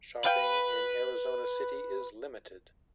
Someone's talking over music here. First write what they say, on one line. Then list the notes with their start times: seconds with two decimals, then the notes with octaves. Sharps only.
Shopping in Arizona City is limited.
0.25 B4 F5 G5